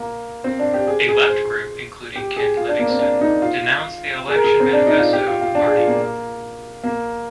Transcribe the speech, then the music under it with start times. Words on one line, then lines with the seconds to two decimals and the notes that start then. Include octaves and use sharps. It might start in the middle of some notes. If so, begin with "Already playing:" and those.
A left group, including Ken Livingstone, denounced the election manifesto of the party.
Already playing: A#3
0.44 C4
0.59 D4
0.74 G4
0.87 G#4
1.09 G#4
1.30 C5
2.16 G4
2.37 G#4
2.57 F4
2.69 D4
2.79 A#3
2.90 C4
2.99 D4
3.21 D#4
3.42 F4
4.28 G#4
4.36 A#4
4.44 G#4
4.60 C4
4.73 D4
4.86 D#4
4.99 F4
5.13 G4
5.28 F4
5.41 F4
5.55 D4
5.66 G#4
5.76 F4
5.87 A#3
6.84 A#3